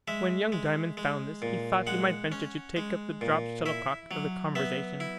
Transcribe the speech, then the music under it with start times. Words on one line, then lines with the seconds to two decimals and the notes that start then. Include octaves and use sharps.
When young Diamond found this, he thought he might venture to take up the dropt shuttlecock of the conversation.
0.08 G#3 E5
0.52 G#3
0.97 G#3
1.42 A#2
1.87 G#3 F#5
2.32 C#4
2.76 G#3
3.21 A#2
3.66 E4 E5
4.11 F#3
4.55 B3 E5
5.00 E4